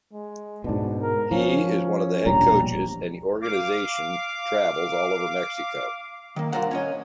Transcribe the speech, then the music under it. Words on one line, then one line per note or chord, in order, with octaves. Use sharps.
He is one of the head coaches, and the organization travels all over Mexico.
G#3
G#2 B2 D4
A#4
F3 C#4
E1 A#1 G3 A#5
F5 D6
D#3 A#3
G2 D3 F4 A#4 C5 F#5
C#4 C#5 D#5